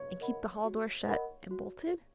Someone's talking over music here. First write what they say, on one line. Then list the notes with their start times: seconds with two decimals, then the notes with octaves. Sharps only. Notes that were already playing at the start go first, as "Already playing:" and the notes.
'And keep the hall door shut and bolted?'
Already playing: C#5
0.21 A#4 D#5 F#5 B5
0.64 F#4
1.08 A#4 D#5 F#5 B5
1.51 F#4